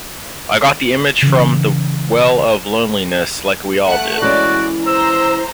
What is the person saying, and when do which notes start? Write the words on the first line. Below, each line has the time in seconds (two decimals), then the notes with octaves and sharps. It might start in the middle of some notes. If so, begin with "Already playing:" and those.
I got the image from "The Well of Loneliness", like we all did.
1.22 C#3 E3
3.87 A3 F#5 F#6
4.22 E3 G#3 C#4 F#4 D5
4.87 C5 A#5 E6